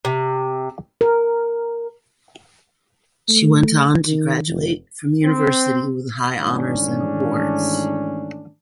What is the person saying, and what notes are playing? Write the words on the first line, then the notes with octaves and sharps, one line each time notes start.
She went on to graduate from university with high honors and awards.
C3
A#4
A3
D#3
F1
C4
G#2 D#3 E3 A3 C#4 D4